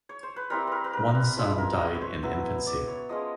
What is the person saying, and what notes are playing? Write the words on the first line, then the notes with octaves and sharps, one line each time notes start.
One son died in infancy.
C#5
C5
B4
G3 C4 E4 A#4
A#4 B4
B4
A#4
B4
F3 G#3 C#4 E4
A#4
B4
C#5
C5
F#3 B3 E4
D5
C#5
F3 G#3 C#4 D#5